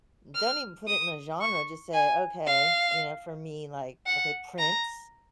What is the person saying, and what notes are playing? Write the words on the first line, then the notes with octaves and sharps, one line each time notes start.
don't even put it in a genre. Just say, "Okay," you know, for me, like okay; Prince,
F6
D#6
C#6
G#5
F5
F#5
A#5